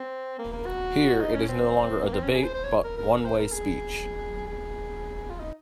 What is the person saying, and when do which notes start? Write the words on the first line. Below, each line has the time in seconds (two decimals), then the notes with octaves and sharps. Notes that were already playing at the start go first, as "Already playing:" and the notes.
Here it is no longer a debate but one way speech.
Already playing: C4
0.39 A#3
0.53 A#3
0.66 F#4
1.21 D#4
1.35 C#4
1.49 C4
2.03 A#3
2.13 C4
2.23 C#4
2.33 G#4
2.44 C5
2.54 C5
2.64 C#5
2.84 A#4
2.98 A#4
3.17 A#4
3.25 C5
3.39 A#4
3.52 G#4
4.48 G#4
5.30 F4
5.40 D#4